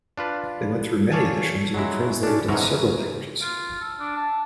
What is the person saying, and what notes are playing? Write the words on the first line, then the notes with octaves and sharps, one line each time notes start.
They went through many editions and were translated into several languages.
D4 F4 B4
A4 C#5 D5 F5 G#5 A5
F#3 G#3 E4
C#4 D4
G#2 B2 E3 F#3 C#4 A#4
F4
A4
D4
A5